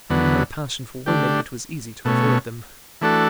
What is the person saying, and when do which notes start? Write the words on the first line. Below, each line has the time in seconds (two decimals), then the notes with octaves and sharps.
Having no passion for women, it was easy to avoid them.
0.10 E2 D3 F#3 B3
1.06 D3 A3 D4 G4
2.05 B2 A3 C#4
3.01 E3 A3 D4 F#4 A4